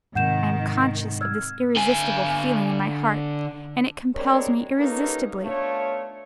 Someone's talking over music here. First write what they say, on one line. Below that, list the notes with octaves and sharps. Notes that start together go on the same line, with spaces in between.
I am conscious of this irresistible feeling in my heart, and it compels me irresistibly.
G#2 C3 D#3 F#5 G6 E7
E6 F6 G#6
D3 G#5
G3 G#3 C4 D4 A#4 C#5
A#3 C#4 D#4 G4 A4 B4
A3 B3 D4 F4 C#5